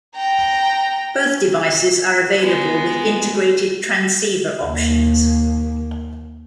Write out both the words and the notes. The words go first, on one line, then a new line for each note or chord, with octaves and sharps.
Both devices are available with integrated transceiver options.
G5 A#5
G#3 B3
D#2 A#3